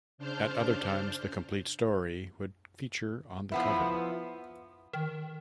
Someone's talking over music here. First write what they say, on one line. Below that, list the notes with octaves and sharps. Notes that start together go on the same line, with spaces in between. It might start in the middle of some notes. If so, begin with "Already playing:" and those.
At other times the complete story would feature on the cover.
C#3 D4 C5 A5 F6 G6
F3 B3 E4
D#3